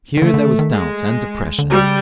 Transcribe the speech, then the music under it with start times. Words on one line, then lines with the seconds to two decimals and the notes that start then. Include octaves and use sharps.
Here there was doubt and depression.
0.17 D#3
0.22 D3 A3
0.34 D3
0.46 D#3
0.59 D#3
0.71 G#3
1.59 D3
1.69 C#3 G3